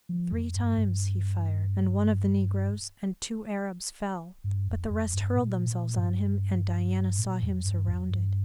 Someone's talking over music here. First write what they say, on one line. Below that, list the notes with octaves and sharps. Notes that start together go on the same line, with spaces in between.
Three times he fired and one of the negroes and two Arabs fell, but the rest hurled themselves on him, and Diana saw him surrounded.
F3
F2
G2
G2
G2
F2
F2
G2
A#2
A#2
G2
A#2
F2
G2
F2
G2